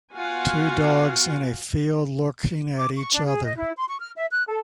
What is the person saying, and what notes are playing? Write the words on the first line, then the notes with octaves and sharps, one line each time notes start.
Two dogs in a field looking at each other.
B3 F4 F#4 F5 F#5 G#5
D6
C#6
D4
G#4
D#5
E4
C6
C#6
F6
E5
F#6
A4